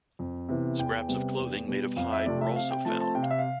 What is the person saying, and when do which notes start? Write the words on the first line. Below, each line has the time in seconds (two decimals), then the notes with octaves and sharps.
Scraps of clothing made of hide were also found.
0.19 F2
0.49 C3 E3 B3
0.79 E2 G5
1.08 C3 G3 B3
1.38 E2
1.68 B2 G3 B3
1.96 F2 F5
2.12 E5
2.26 C3 F3 A3 C4 D5
2.41 E5
2.56 C3 F5
2.71 G5
2.85 F3 A3 C4 A5
3.00 A5
3.15 C3 G5
3.23 F5
3.31 E5
3.39 F5